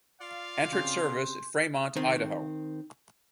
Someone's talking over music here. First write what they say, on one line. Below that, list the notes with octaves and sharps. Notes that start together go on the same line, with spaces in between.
Entered service at: Fremont, Ohio.
F4 D5 F5
C#3 C4 C6 G6
D#3 C4